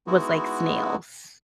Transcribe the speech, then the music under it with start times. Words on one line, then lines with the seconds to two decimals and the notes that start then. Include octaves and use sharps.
was like snails.
0.07 G#3 B3 D#4 E4 F#4